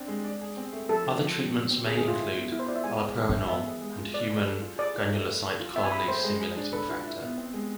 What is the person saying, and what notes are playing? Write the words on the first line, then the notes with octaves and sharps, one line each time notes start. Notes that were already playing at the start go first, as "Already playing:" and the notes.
Other treatments may include allopurinol and human granulocyte colony stimulating factor.
Already playing: C4 D4
G#3
D5
G#4
C4
A3
F3 A4
D4
F3
C4
B2
C4
D3 G#4
G#4
E4 F4
E4
B3
B3 E4
C5
F4 D5
E5
G#3 G#5
G#4
E3
E4
B3 E5
G#4
G#3
F4
B4 D5
G#4
A4
F4
G#4 D5
F4
A3
B4
A4
F4
C4 E5
G#5
G#4 B5
A2 C5
G#3
G#4
D4
A4 B4
F4
E4
B3
C4
G#3